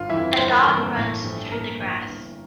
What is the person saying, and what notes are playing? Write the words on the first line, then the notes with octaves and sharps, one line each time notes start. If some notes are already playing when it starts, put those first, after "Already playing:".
A dog runs through the grass.
Already playing: G1 F4
F2 E3 E4 E5
G1 C5
A#4
F2 E3 A4
A#3 A#4
A1 A3 A4
G2 F3
A1 A#3 A#4
G2 F3
G1